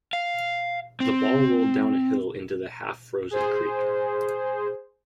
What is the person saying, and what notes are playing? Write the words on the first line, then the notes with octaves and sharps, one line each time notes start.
The ball rolled down a hill into the half-frozen creek.
F5
C4
G#4 C5